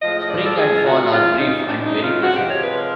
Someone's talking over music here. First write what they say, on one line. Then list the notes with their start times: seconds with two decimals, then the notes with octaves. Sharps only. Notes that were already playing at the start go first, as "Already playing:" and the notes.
Spring and fall are brief and very pleasant.
0.02 A2 F3 G#3 D#5
0.30 D5
0.46 A4
0.57 G#4
0.76 F4
0.85 F#4
1.12 F#2 C#3 E3 G#3 F4
1.39 D#4
1.67 D4
1.79 D4
1.85 D#4
2.03 F4
2.21 C3 F3 G#3 F#4
2.35 G4
2.49 C#5
2.63 B4
2.77 A#4